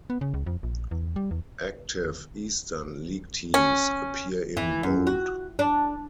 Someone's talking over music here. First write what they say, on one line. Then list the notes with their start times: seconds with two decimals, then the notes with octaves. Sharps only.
Active Eastern League teams appear in bold.
0.10 B3
0.21 C#3
0.34 C#2
0.46 F2
0.63 A#1
0.91 E2
1.16 G3
1.31 E2
3.54 C#4
4.57 E3
4.83 F#2
5.07 F#4
5.59 D4